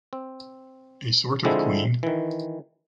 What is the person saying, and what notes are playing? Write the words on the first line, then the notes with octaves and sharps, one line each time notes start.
A sort of queen.
C4
D3 F3 G#3 C4 E4
D#3 E3